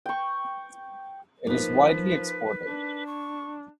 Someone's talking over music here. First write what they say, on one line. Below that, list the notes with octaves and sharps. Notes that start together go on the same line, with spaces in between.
It is widely exported.
G5 C#6
F3 A#3 D#4 B4
D4
C#6